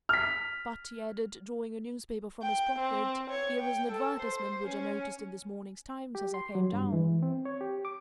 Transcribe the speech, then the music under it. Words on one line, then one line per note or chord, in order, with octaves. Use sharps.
But," he added, drawing a newspaper from his pocket, "here is an advertisement which I noticed in this morning's Times as I came down.
F6 B6
G5
C4
C#5
G5
A4
C5
C#4
G4
C6
F#3
G2
E3
C4
C#5
G4
D6